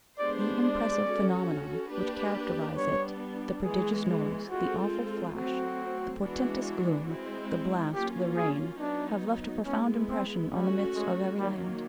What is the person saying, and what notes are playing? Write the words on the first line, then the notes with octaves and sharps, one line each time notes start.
The impressive phenomena which characterize it, the prodigious noise, the awful flash, the portentous gloom, the blast, the rain, have left a profound impression on the myths of every land.
G#3 B3 D4 G4 C5 D5
D5
C#4 F#4 A4
A#3 D4 G4 B4
G3 B3 D4 C#5
E3 G#3 B3 G#4
G#3 C4 F4 F#4 A4
F#3 A3 C4 F#4
E3 G#3 B3 D4 F#4
G#3 C4 E4
F#3 A#3 C#4 F4 G4
G#4
F#3 B3 D4 D#4
G#3 B3 C#4 E4
C4
G3 A3 C#4 F#4
G#3
D#3 F#3 G3 A#3